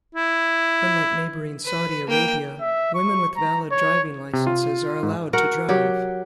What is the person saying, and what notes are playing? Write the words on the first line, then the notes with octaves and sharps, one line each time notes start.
Unlike neighboring Saudi Arabia, women with valid driving licences are allowed to drive.
E4
B4
A#3 G5
E5
C#6
A#5
C#5
C3
F4
G#2
F#4 A#4 F#5
F#3 G4